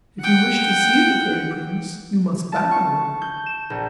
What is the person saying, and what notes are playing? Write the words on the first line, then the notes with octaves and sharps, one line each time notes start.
If you wish to see the fairy prince you must bow.
F#5 G5
A5
C#6
G6
E7
A#1